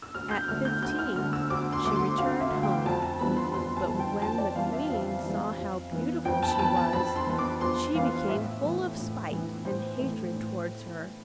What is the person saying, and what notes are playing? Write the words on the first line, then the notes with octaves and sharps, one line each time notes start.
At fifteen she returned home, but when the Queen saw how beautiful she was, she became full of spite and hatred toward her.
E6
D2 F6
G6
D3 A3 F6
G6
D2 G6
F6
D3 A3 F6
E6
D2 D6
C6
D3 A3 D6
C6
D2 F5
E5
D3 A3
G5
F2 A5
A5
E3 G3 B3 B5
C6
F2 C6
A5
E3 G3 B3
G5
F2 A5
D5
E3 G3 B3 F5
E5
F2 F5
E3 G3 B3
F2
E3 B3
F2 G5
A5
B5
E3 B3 A5
A5
F2 B5
C6
E3 B3
D6
F2 C6
E3 B3 F5
A2 E5
E3 A3
A2
E3 A3
A2 C5
E3 A3
A2